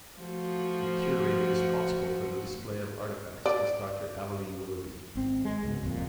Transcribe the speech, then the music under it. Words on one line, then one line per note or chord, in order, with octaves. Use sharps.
The curator responsible for the display of artifacts is Doctor Avalee Willoughby.
F3 A3 F#4
D5
G#1 C4
G#3
C#2 G#2 B2
D1 C2 F2 A#2